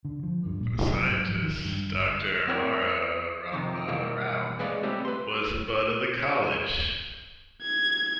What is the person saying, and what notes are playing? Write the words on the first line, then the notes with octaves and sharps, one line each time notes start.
The scientist Doctor Amara rama Rao was a bud of the college.
D3
F3
G2
A#2
B1
F#3
G#2
F3
D#3
G2
G1
B3 C4 E4 A#4 C#5 D5
C3 D#3 F3
B2 D#3 E3 G3 A#3
G#3 G#4 B4 C#5 D5 F5
G3 A3 B3 C4 G4
B4 C6
G#6